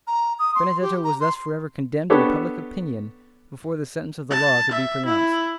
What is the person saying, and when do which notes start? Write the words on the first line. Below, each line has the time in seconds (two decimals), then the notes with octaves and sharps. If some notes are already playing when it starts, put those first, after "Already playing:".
Benedetto was thus forever condemned in public opinion before the sentence of the law could be pronounced.
0.07 A#5
0.39 D#6
0.55 C6
0.82 G4
1.04 A#5
1.20 C6
2.10 B3 D4 G4 A4 C#5
4.31 A5
4.71 E5
5.06 E4